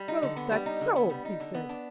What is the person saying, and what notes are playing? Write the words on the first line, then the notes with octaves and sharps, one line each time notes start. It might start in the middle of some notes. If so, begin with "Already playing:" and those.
"Well, that's so," he said.
Already playing: G3
D#4
D3
B3
G3
D#4
D3
B3
G3
D#4
D3
B3
D4